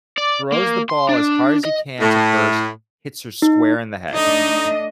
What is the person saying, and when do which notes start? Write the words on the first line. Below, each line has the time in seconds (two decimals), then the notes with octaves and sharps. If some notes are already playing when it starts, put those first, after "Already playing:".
throws the ball as hard as he can to first, hits her square in the head.
0.18 D5
0.52 A#3
0.89 C6
1.09 D4
1.65 D#5
2.01 A2
3.42 D#4
4.10 A3 D4 D#4 D#5